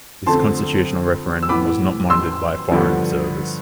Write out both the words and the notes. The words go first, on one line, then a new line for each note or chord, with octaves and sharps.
This constitutional referendum was not monitored by foreign observers.
F2 D3 A3 C4 A5 C6
E6
A2 E3 B3 B5 D6
C6 E6
G2 D3 F3 B3